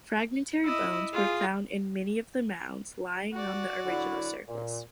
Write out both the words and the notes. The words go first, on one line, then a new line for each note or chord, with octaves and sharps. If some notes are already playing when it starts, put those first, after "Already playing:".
Fragmentary bones were found in many of the mounds lying on the original surface.
E4 D#5
F4 G#4
F#4 D5
D3 F#3 E4
A#2